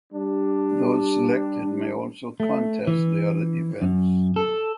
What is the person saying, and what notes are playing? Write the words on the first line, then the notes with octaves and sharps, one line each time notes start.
Those selected may also contest the other events.
G3 D4
A3
E3
F#2
A4